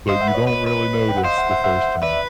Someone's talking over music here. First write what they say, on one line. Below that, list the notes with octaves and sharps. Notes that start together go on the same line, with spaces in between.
but you don't really notice the first time.
C5 D#5 F5
E5 F#5
B4
C#5 D#5
B4
B4
G5
F#5
C5 D#5 F5
E5 F#5
E5 F#5
E5 F#5
B4 D5 E5